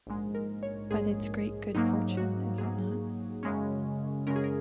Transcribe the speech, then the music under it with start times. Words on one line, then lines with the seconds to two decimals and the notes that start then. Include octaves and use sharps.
But it's great good fortune, is it not?
0.07 A#1 G#2 G#3
0.35 A#4
0.63 C#5
0.90 A#1 G#2 G#3 G#4
1.75 G#2 F#3 A#3 D#4
2.17 F#4
2.58 G#2 F#3 A#3 G#4
3.43 F#2 C#3 G#3 C#4
4.27 F#2 C#3 G#3 C#4 A#4
4.36 G#4
4.44 A#4